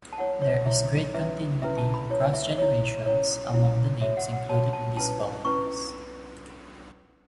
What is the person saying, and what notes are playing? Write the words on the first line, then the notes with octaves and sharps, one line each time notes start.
There is great continuity across generations among the names included in these volumes.
A5
E4 C#5 F#5
C#5
E4 C#5 E5
C#4 E4 B4 E5
C#4 E4 B4 E5
A5
B5
E4 C#5
E5
E4 C#5
C#4 E4 C#5
C#4 E4 C#5
F#4 C#5 E5
F#5
F#5
F#4 C#5 A5
A5
C#4 E4 B4 A5
C#4 E4 B4 C#6